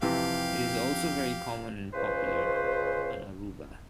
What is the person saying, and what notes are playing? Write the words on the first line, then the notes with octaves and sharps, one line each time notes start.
It is also very common and popular on Aruba.
F2 C3 E3 G4 F5
C#2 C#3 B4 C5